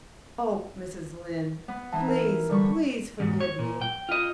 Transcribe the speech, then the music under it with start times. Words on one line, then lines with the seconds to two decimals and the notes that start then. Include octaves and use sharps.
Oh, Mrs. Lynde, please, please, forgive me.
1.68 B3 F#5
1.92 E3 D#4 A5
2.08 A#4
2.49 D3 G3 C#6
3.20 E2 G#2
3.40 C#5
3.59 A#2
3.82 G5
4.09 F4 D#5